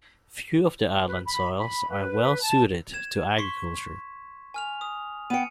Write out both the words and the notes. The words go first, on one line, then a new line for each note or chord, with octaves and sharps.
Few of the island's soils are well suited to agriculture.
B4
B5
B5
B4
A5
G#6 E7
C6 C#6 B6
G#5 F6 F7
D#6
B3 G5 C#7 D#7